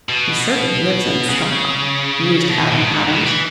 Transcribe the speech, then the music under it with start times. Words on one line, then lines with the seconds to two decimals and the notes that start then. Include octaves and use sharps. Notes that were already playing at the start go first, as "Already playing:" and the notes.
"He certainly lives in style," mused Adam Adams.
0.09 B2
1.29 C#3
2.49 B2
2.72 B2
2.79 G#2
3.09 B2
3.24 E3